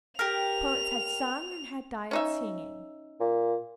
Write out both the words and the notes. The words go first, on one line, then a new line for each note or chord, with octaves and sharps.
Poets had sung and had died singing.
G4 A#4 F7
C#4 D#4 E5
A#2